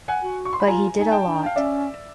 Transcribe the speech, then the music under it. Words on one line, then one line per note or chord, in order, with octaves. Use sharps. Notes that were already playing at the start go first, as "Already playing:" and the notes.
But he did a lot.
F#5 G#5
F#4
C#6
C6
B5
F4 G#5 A#5
D#4 G#5
G5 A5
D4
F5
C#4 D5 E5